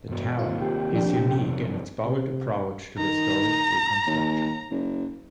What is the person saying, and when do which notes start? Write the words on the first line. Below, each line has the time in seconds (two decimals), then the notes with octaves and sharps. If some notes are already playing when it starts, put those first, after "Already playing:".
The tower is unique in its bold approach to historic reconstruction.
0.09 E1 G2 B2
0.39 D#2 G#2 C3 F4
0.61 G4 G5
0.92 F3 D4
1.18 B1 F2 C3
2.03 C3
2.99 D#3 A#5
4.07 D#2
4.70 F#1